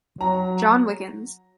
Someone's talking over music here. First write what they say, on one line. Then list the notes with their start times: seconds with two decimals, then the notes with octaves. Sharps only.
John Wickens.
0.20 F#3 A#5